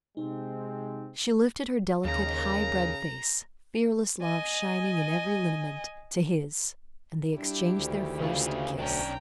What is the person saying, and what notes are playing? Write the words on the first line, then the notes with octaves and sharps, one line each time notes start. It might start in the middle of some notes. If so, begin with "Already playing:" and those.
She lifted her delicate, high-bred face, fearless love shining in every lineament, to his, and they exchanged their first kiss.
C3 G#3 C4 D#4
D#2 C#3 A#5
D#5 G#5
G3 D4 E4 G4
D2 D#3
C#3 F4
B1 C#4 D4 G5 A#5